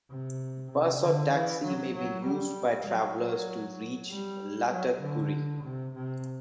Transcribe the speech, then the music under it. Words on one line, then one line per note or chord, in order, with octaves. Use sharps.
Bus or Taxi may be used by travelers to reach lataqguri.
C3
C3
D3
E3
F#3
F#3
G3
F#3
G3
F#3
D3
C3
C3